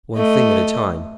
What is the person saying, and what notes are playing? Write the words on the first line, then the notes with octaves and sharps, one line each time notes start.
One thing at a time.
A3 D#5